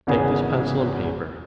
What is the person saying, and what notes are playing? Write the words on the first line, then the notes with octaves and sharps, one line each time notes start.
Take this pencil and paper.
G#1 E2 C#3 G#4